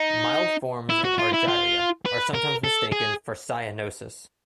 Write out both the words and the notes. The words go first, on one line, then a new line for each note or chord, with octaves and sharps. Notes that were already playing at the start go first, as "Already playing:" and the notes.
Mild forms of argyria are sometimes mistaken for cyanosis.
Already playing: D#4
E4
F#4
F4
E4
F4
B4
A#4
A4
G#4